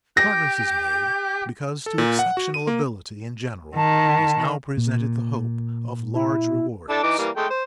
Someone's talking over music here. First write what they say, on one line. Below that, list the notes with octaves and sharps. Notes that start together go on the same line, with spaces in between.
Progress is made because to exceptional ability in general is now presented the hope of large rewards.
G4 G6 A#6
A4
A#2
F#5
F#4
D#7
A#3
D#3 A5
A#2
E4
D4 E4 A4
E3 D#4 D6
E3 G3 A#3
G#3 A3 G5
C5